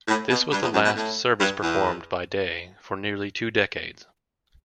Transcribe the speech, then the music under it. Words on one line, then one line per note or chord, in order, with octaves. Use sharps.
This was the last service performed by Day for nearly two decades.
A2
B2
G2
E2
F#2
B2
A2
G2
E2